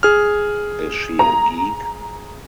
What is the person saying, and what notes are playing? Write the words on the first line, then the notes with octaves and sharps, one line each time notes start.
Is she a geek?
G#4 F6
A#5